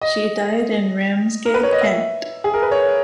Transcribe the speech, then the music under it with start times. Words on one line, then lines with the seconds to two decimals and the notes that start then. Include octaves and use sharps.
She died in Ramsgate, Kent.
0.01 D#5
1.45 A#4
1.54 B4
1.63 C#5
1.72 D#5
1.81 E5
2.44 G#4
2.54 A#4
2.62 B4
2.71 C#5